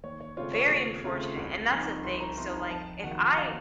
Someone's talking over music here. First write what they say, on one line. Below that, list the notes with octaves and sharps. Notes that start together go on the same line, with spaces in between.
Very unfortunate, and that's the thing, so, like, if I,
D#2 C#5
C#5
C#3 A3 C4 F4 C#5
C#5
D#2
C#3 A3 C4 F4
C2
C3 F3 C4 D#4
C2 C6
A#5
C3 F3 C4 D#4 C6
A#5
F2 A5
D#3 F#3 A#3 F#5
F5